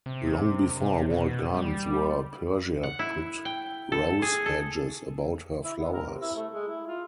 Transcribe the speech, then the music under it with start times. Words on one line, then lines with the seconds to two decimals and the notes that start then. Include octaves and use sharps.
Long before walled gardens were, Persia put rose hedges about her flowers.
0.06 C3
0.80 C3
1.10 B2
1.54 G3
2.83 F#5
2.99 E4
3.45 G5
3.92 A4
4.22 G#4
4.46 A4
5.64 E4
5.80 B3
5.92 A#4
6.07 C3
6.21 E4
6.36 A3
6.51 G#3
6.68 E4
6.87 F4